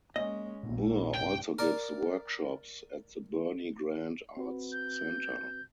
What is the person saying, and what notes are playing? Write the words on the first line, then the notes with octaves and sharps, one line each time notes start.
Moore also gives workshops at the Bernie Grant Arts Centre.
G#3 A#3 C#4 D#5
A#1 D#2 A#2
G2 C3 G5
A#4 D5
C4 F#4 B4
G6